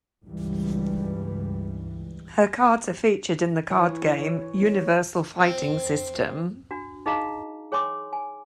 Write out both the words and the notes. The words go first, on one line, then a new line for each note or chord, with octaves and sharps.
Her cards are featured in the card game "Universal Fighting System".
C#2 G2 E3 G3
E3 C#5
C4
D4 F#4
D#4 G#4 D#5 F5 A#5
G#4 C#5 G5 G#5 C6 D6
G#5